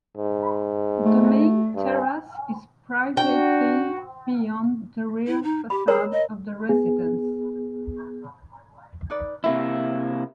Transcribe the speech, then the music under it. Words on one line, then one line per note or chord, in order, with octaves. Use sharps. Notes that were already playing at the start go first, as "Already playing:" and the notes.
The main terrace is privately beyond the rear facade of the residence.
G#2
A3
G2
D4 F#4 G5
E4
D#4
G4 B5
G#4 A#4 C#5 A#5
D#5
B3 G#4
D#4 B4 D5
C3 A#3 E4 E5